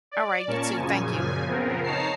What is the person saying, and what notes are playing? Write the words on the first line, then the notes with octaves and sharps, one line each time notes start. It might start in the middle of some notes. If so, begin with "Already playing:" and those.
All right, you too. Thank you
D5
A#2 C#4 A#4 A5 C#6
F#2 A#2 C#3 F3 G#5
C#3 F3 B3 C4 A#4
D#4 C#5 A5 A#5 C7